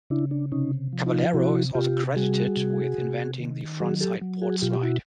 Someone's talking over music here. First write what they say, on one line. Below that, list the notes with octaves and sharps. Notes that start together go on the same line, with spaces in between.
Caballero is also credited with inventing the frontside boardslide.
C#3 D4 E4
D4
C3 C#4 D#4
F3
D#4 F4
C3 E4 F#4
C3 F4 G4
G3 F#4 G#4
C3
C3
D#3
F#3 F#4 G#4
G4 A4
F#3
F#4 G#4
B2 F4 G4
G4
E4 F#4